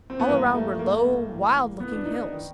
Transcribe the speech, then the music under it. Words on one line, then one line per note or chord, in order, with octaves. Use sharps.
All around were low, wild-looking hills.
C4
B3
G2 E3 A#3
A3
A#3
A2 E3
B3
D4
D#4
D#3